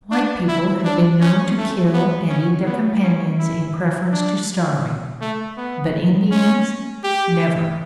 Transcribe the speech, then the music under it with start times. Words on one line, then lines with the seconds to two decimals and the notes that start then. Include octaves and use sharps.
White people have been known to kill and eat their companions in preference to starving; but Indians--never!
0.11 D4
0.48 E4
0.84 D4
1.21 C#4
1.57 A3
1.93 B3
2.29 C#4
2.65 B3
3.03 C#4
3.39 E4
4.12 D4
5.21 A3
5.57 B3
6.31 C#4
7.03 G4